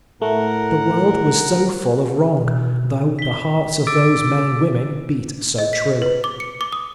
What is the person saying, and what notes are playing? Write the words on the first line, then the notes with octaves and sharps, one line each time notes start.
The world was so full of wrong, though the hearts of those men and women beat so true!
A2 A3 A#4 F#5
B2
B6 G7
D6 E6 A6 D7
D#5
B6
B4
D6
C#7
D6
D#6